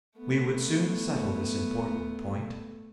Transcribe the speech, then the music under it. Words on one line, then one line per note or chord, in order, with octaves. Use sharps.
We would soon settle this important point.
A3 B3